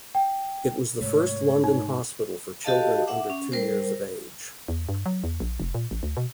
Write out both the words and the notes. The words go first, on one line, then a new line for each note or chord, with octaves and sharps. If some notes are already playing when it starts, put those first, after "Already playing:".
It was the first London hospital for children under two years of age.
G5
G#2 C3 A3 C#5
D#4
F#4 G4 A4 D#5 F5 A5
E5 F#5 D6
C#4
G3 A#4 C5
E2
G2
F#3
E2
A#1
F1
A#2
A1
D2
B2